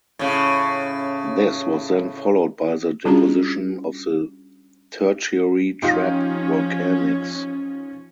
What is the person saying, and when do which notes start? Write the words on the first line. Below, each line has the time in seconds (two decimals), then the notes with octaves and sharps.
This was then followed by the deposition of the Tertiary Trap Volcanics.
0.19 A2 C#3
3.05 G3 C#4 D4 F4 F#4 G#4
5.82 F3 C#4 D#4 F4 G4